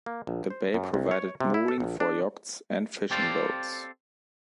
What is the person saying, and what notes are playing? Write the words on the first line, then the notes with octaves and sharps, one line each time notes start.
The bay provided mooring for yachts and fishing boats.
A#3
A#1
C5
F#2
C2
C#5
C3
E4
A4
A#1
D4
C4 G4 A4 C5 D5 F5